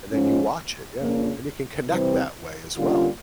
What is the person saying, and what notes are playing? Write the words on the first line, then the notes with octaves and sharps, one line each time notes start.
And then you watch it, yeah. And you can connect that way as well.
G#2 F3 G#3 C#4
F2 C#3 F3 A#3 D4
C3 E3 G3 C4
D3 G3 A#3 C#4 F4